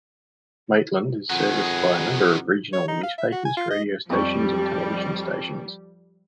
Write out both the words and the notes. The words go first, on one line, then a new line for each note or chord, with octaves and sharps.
Maitland is serviced by a number of regional newspapers, radio stations and television stations.
F2 B2 D#3 G#4 F#5
C#5
D#4
F5
E5
F#4
G#5
F4
D#5
F2 F3 G3 C#6